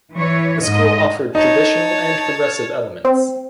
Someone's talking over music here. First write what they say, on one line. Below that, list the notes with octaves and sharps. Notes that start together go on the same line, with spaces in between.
The school offered traditional and progressive elements.
E3 C#5
G#2 D#5
D#4 C#5 A5
C4